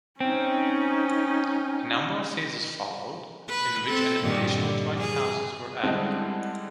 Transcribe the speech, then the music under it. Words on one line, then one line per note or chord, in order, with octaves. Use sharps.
A number of phases followed in which an additional twenty houses were added.
C4 C#4 D#4
B4
C4 A4
G2 A#2 D#3
D3
G#4
D3 G3 G#3 C4 E4 D#5 F#5 A5